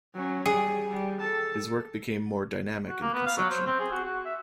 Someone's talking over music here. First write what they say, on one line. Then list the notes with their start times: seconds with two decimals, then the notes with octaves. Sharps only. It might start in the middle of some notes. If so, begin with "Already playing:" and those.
His work became more dynamic in conception.
0.14 F#3 C#4
0.46 G3 G#4
0.88 G3
1.20 A4 A5
2.88 F#4
3.01 A#3
3.13 B3
3.26 F5
3.37 F#3
3.51 C5
3.66 C4
3.80 G#4
3.92 F#4
4.04 F#4
4.25 E5